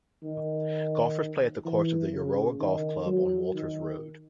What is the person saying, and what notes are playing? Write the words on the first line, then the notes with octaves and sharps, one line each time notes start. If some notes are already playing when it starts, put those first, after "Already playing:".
Golfers play at the course of the Euroa Golf Club on Walters Road.
D#3
E3
C#3
D#3
F#3
D#3